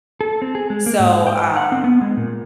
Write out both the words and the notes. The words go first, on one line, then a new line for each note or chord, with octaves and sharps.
so, um
A4
C4
G#4
G#3
A#3
G#2
G5
F#5
C4
B3
G#3
A#2